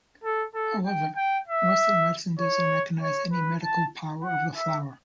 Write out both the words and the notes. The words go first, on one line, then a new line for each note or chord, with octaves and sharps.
However, western medicine doesn't recognize any medical power of the flower.
A4
A4
G5
G5
E5
C#5
C#5
B4
A5
F#5
E5